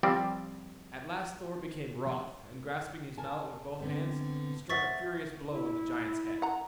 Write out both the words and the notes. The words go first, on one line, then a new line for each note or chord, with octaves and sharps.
At last Thor became wroth, and grasping his mallet with both hands he struck a furious blow on the giant's head.
F3 G3 C4 D5
A#4 G#5 A5
D3 B3 C4
C5 E5 F#5 C#6 A6 B6
E4
F#5 A#5